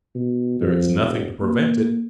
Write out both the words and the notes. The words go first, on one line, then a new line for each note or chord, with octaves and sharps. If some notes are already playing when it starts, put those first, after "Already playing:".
"There is nothing to prevent it."
B2
F2
E1
A#3